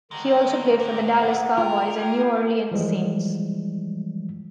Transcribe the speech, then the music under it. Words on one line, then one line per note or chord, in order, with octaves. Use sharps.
He also played for the Dallas Cowboys and New Orleans Saints.
D3 D#3 G#3 A#5
A#2
G#3 E4 G#4 F#5
F4 A#4 G5
G4 F5 G#5
E3 F3 G3 G#3